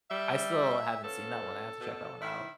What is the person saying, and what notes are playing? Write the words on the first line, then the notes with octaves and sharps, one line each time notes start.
I still haven't seen that one, I have to check that one out.
G3 E5
F3 B3 C#4 A4
B2
D#3 E4